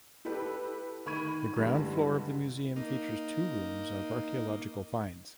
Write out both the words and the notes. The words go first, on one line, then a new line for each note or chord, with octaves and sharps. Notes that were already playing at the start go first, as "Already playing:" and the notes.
The ground floor of the museum features two rooms of archaeological finds.
E4 G4 A4 B4
D#3 B5 C#6 G#6 D#7
G2 D3 E3 G3 G#3
A#3 D#4